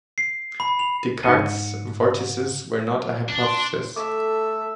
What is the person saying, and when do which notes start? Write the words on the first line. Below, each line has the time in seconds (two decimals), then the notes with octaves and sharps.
Descartes' vortices were not a hypothesis.
0.18 C7
0.60 B5
0.79 F7
1.23 G#2 C#7 D#7
3.29 D4
3.43 C6
3.96 A3 A4 E5 D6